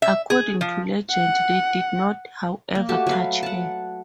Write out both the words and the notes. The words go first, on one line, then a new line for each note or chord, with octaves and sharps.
According to legend, they did not, however, touch her.
E5
G#4
F3
F#5
A#3
A3 F#4 G4 A5
F#3 B4 F5
F#5 A5